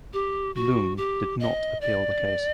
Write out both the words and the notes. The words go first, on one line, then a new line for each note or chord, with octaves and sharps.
Leung did not appeal the case.
G4
F#4
G4
D#5
D5